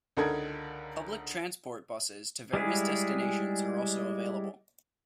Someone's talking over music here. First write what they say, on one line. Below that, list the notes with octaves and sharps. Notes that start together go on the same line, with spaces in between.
Public transport buses to various destinations are also available.
C#2 D3 D#4 A4 A#4 G#6
G3 G#3 E4 G#4